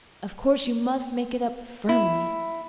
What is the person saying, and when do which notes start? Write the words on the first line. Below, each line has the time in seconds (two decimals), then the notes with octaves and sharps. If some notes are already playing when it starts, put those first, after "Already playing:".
Of course, you must make it up FIRMLY.
1.89 E4